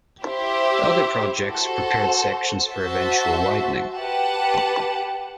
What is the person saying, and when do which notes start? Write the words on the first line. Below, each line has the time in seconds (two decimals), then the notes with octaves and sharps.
Other projects prepared sections for eventual widening.
0.23 E4 G4 C5 E5
1.47 F#4 A4 C5
2.71 F#4 C5 E5 A5
3.96 G4 B4 F#5 A5